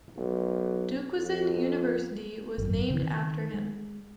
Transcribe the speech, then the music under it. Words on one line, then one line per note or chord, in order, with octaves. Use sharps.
Duquesne University was named after him.
B1
F2
G#1 F#2
C#3 E3
D#3
G#3